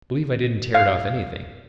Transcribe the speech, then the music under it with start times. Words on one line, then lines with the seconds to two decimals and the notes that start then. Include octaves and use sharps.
I believe I didn't tear it off anything.
0.75 F5